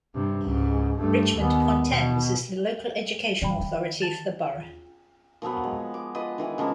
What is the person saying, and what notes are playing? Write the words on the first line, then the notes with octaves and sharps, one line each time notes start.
Richmond upon Thames is the local education authority for the borough.
G2 C3
C#2 G#2
G2 A3
D#2 B3
B2
G2 D#3 D5 G5 B5
D#3 E3
A5 A6 F7
A#2 F3 F#3 B3
G#3
D6
F4 B4 D#5
D#3 E3 G#4
C#3 F3 G#3 A#3